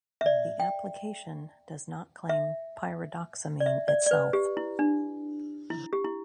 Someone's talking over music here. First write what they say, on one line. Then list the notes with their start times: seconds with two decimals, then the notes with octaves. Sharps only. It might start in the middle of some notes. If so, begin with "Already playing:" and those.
The application does not claim pyridoxamine itself.
0.21 E5
0.26 D5
0.60 G5
2.29 E5
3.60 D5
3.66 E5
3.88 D5
4.06 D5
4.11 B4
4.33 G4
4.57 E4
4.79 D4
5.70 E4
5.93 G4
6.05 E4